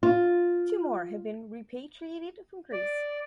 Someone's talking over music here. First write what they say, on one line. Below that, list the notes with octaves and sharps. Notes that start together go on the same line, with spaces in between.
Two more have been repatriated from Greece.
F4
D5